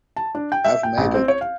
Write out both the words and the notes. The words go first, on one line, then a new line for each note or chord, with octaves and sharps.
I've made it.
A5
D4
G5
E5
G5
A1
C4
C#5
F5